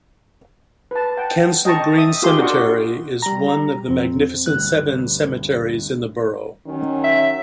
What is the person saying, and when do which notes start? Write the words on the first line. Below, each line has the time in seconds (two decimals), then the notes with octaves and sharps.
Kensal Green Cemetery is one of the 'Magnificent Seven' cemeteries in the borough.
0.91 B4 A5
1.17 F#5 G5 A5
1.65 D#5 G5 A5 A#5 C#6
1.98 E5 D#6 E6
2.22 F4 G4 G#4 A#4 C6
2.38 D4 F#4 A#4 D5 D#5 C#6
3.22 G3 A#5
3.89 F2 C4
4.46 D2 G2 F#6
6.67 D#3 F#3 C#4
7.04 E5